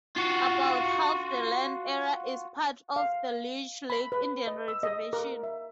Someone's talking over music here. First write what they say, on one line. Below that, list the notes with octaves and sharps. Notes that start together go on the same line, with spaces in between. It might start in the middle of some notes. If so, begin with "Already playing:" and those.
About half the land area is part of the Leech Lake Indian Reservation.
F4 F#4
F5
B5
B4
D#5
E6
D#5
A#4
E5